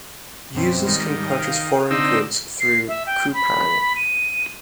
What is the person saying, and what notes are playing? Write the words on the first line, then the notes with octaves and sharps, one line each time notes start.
Users can purchase foreign goods through Coupang.
F#2 B2 C4
G#2 D#3 G3
F5 G5 D#6
D3 C4 D#4 D5 E6
C7
E5
G5
B5
D#7